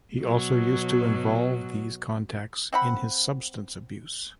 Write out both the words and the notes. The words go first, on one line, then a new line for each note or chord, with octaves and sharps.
He also used to involve these contacts in his substance abuse.
B2 F#3
C4 F#5 B5